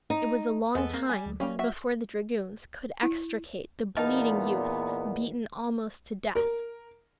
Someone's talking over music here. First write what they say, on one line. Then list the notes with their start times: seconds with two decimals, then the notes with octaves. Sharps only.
It was a long time before the dragoons could extricate the bleeding youth, beaten almost to death.
0.10 D#4
0.75 E2 G#3 B3 A4
0.94 A#3 C4
1.09 G3 G#5
1.26 D2 F#3
1.40 F#3 G3 A#3 C#4 F5 G5
1.59 F#4 E5
3.03 E4
3.97 E2 A#2 B3 D#4 F5 A5
6.35 A#4